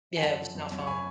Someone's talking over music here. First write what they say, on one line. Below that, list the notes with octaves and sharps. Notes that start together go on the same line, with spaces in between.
Yeah, it was not fun.
G#5
F#2 F#5 A5
F3
F#2
F#2
C#6
G#5 B5